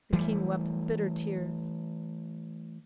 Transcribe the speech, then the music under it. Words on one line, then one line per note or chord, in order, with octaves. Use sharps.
The King wept bitter tears.
E3 G3 A3